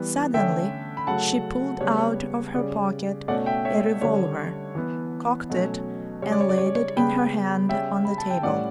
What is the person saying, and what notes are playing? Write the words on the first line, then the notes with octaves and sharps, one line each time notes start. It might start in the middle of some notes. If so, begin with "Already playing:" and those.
Suddenly she pulled out of her pocket a revolver, cocked it and laid it in her hand on the table.
Already playing: E3 G3 B3
D3 A3 C#4 E5 G5
B5
C#3 F#3 A3 F#5 A5
C#3 G3 B3 C#5
C#5
C#3 G3 C#4 D5
B2 A3 C#4 D5 F#5
E5 G5
C#5 E5
D3 G3 C#4 C#5
E3 B3
B2 F#3 A3 C#4
C#3 G3 C#4 C#5
D5
C#5
D5
C#5
D5
C#5
C#3 G3 B3 G5 B5
C#3 G3 C#4 E5 G5
B5
A5
G5
A2 G3 C#4 D5 F#5